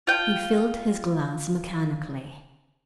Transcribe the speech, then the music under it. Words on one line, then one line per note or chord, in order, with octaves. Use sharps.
He filled his glass mechanically.
F4 G5